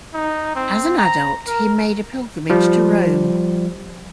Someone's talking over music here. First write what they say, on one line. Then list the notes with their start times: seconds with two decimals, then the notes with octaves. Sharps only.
As an adult he made a pilgrimage to Rome.
0.13 D#4
0.56 C4
0.98 A#5
1.47 A#4
2.50 F3 G3